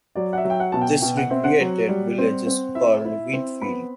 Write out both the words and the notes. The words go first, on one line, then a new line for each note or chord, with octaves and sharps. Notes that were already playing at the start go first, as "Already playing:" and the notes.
This recreated village is called Wheatfield.
F#3 D5
F#5
E5
F#3
G5
F#5
B2 A5
G5
B2 G5
F#5
C4 E5
F#5
F#3
G3
C4
C4
E4 E5
E4
C4
B3 B5